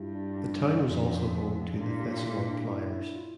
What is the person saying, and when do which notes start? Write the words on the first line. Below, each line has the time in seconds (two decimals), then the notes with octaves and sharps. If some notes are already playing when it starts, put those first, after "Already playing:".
The town was also home to the Thessalon Flyers.
Already playing: G2 D4 E4 F4 G4
0.15 D4
0.38 D4
0.62 C#4
0.85 F2
1.77 A#2 D4
1.88 E4
2.00 G4
2.12 F4
2.23 E4
2.46 D4
2.70 E4
2.93 E4
3.16 F4